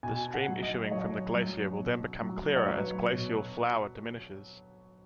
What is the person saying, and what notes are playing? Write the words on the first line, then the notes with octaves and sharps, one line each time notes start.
The stream issuing from the glacier will then become clearer as glacial flour diminishes.
B2 G#5
F#5
F#3
D#5
F#3 C#5
F#3
B2
F#3
C#5
F#3 B4
B2